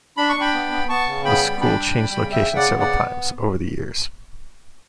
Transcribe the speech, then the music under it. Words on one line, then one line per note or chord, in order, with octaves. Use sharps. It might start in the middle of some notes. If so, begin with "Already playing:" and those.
The school changed location several times over the years.
D4 B5
C#6
D4 G5 B5
B3
B3
B3 A5 C#6
C#3
B3 G5 B5
G3
D4 G5 B5
G3
G3
C#3
C#3 E5 G5
C#3
D5 F#5
B3
D5 F#5
B3